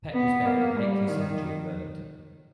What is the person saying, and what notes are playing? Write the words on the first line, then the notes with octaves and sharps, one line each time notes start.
Peck was buried at Lakeview Cemetery in Burlington.
B3
A#3
G3
D#3